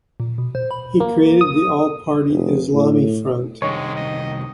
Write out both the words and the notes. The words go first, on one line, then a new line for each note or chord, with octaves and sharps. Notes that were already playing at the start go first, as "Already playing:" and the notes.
He created the All Party Islami Front.
A#2
B2
C5
B5
A#3
D#6
F1
A2
C2 D#3 G#3 C#5
D#5